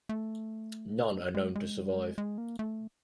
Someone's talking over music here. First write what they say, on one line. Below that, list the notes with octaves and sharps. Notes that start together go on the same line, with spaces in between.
None are known to survive.
A3
G#3
G#3
G3
G#3
G#3
A#3
A3